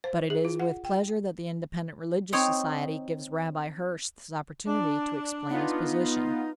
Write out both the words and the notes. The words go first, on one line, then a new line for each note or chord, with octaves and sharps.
But it is with pleasure that the Independent Religious Society gives Rabbi Hirsch this opportunity to explain his position.
C5
G#4
F4
F#5
G5
C4 D#4 C#5
D4
B3 D#4 F4